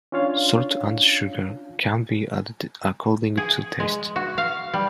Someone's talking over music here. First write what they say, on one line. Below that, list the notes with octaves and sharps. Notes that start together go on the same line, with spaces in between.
Salt and sugar can be added according to taste.
C#4 D4 F4 C#5 F5
G#4
G#3
F#4
F5
G3